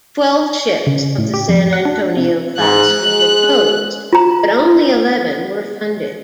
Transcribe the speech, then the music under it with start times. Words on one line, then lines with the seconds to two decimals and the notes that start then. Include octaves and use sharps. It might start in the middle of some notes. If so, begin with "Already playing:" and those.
Twelve ships of the "San Antonio" class were proposed, but only eleven were funded.
0.87 C#3
1.18 A2
1.34 G4
1.49 F2
1.73 F#5
1.85 D4
2.17 C3
2.58 G#2 F#6
3.02 G#3
4.13 F4 A#5